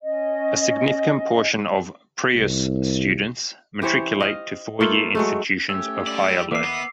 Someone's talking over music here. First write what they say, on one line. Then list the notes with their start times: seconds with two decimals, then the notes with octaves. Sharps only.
A significant portion of Preuss students matriculate to four-year institutions of higher learning.
0.03 C#4 D#5
2.36 C2
3.82 E3 G4 C5 C#5
4.20 D#5 F5
4.80 A3 A#3 F4 A4
5.15 F#3 G#3 A3
5.69 A3 C#4 G4 E6
6.07 G3 D5
6.51 E3 A#3 E5 D6 C7
6.64 B3 A#4 D#5 E5